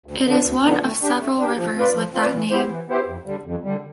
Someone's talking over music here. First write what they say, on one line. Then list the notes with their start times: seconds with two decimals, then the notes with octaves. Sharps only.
It is one of several rivers with that name.
0.06 D2
0.26 D3 F3 B3 D4
0.44 D2
0.63 D3 F3 B3 D4
0.83 A3
1.01 D4 G4
1.19 A3
1.38 D4 G4
1.58 F3
1.76 C4 F4 B4 D5
1.94 F3
2.14 C4 F4 B4 D5
2.33 E3
2.51 B3 E4 G4 C5
2.70 E3
2.88 B3 E4 G4 C5
3.07 F2
3.26 D3 G3
3.46 F2
3.64 D3 G3